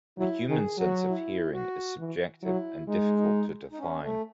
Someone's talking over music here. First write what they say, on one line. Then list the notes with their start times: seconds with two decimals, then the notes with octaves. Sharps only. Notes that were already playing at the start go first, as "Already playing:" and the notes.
The human sense of hearing is subjective and difficult to define.
0.18 F#3 E4
0.49 D#3 G#4
0.78 F#3 F#4
1.09 E4
1.53 F#4
1.99 E3
2.43 F#3 E4
2.88 G#3 D#4
3.18 D#4
3.72 D#4
3.78 C#4
4.02 A3